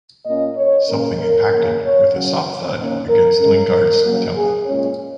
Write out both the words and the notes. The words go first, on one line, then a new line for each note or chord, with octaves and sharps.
Something impacted with a soft thud against Lingard's temple.
A#2 A#3 C#4 D#5
C#5
C#3 A#3 C#4 A#4
A#4
C#3 A#3 C#4 A#4
C#5
C#3 F#3 C#4
D#3 A#3 C#4
A#4
C#3 G#3 C#4 A#4
C#3 F#3 A#3
G#4
A#2 G#3 C#4 C#5